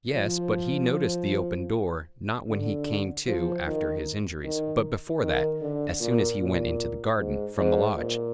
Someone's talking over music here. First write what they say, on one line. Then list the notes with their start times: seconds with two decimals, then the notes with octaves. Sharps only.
"Yes, but he noticed the open door, not when he came to after his injuries, but before that, as soon as he went into the garden from the lodge."
0.14 F3
2.49 D3
3.28 F3
3.67 D#3
4.44 D#3
5.22 D#3
5.61 D3
6.00 A#2
6.40 A#2
7.17 G#2
7.57 G#2
7.96 A#2